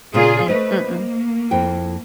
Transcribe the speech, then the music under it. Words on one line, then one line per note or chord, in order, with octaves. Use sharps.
Mm-mm, mm-mm.
A#2 C#3 A#3 F4 G#4
A3 B4 C5 D#5
A#3
F2 E4 G5